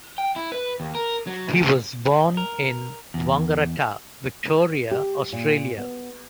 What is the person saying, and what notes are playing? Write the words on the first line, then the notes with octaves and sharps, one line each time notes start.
He was born in Wangaratta, Victoria, Australia.
G5
E4
B4
D#2
A#4
F#3
D2
A#4
E2
G4
A#2
B3